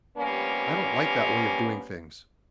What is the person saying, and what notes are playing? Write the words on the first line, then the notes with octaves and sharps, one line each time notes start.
I don't like that way of doing things.
C3 F3 G3 A#3 B3 C#4